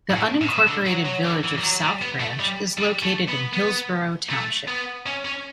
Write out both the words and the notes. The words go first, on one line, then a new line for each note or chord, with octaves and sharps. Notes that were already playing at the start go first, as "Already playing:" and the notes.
The unincorporated village of South Branch is located in Hillsborough Township.
A2
A2
B2
D3
F#3
F#3
D3
E3
G3
F#3
G3
B3
A3
G3
G3
A3
B3
B3
A3
B3
C#4
C#4